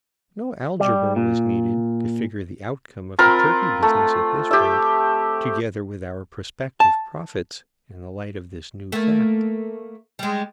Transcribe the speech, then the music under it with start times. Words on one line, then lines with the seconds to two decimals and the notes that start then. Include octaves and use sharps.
No algebra was needed to figure the outcome of the turkey business at this rate, together with our prospective profits, in the light of this new fact.
0.80 G3
1.16 A#2
3.19 C4 F4 A#4 B5
3.83 A3
4.51 G4 E5
6.80 A5
8.92 A3 A#3
10.19 G3 G#3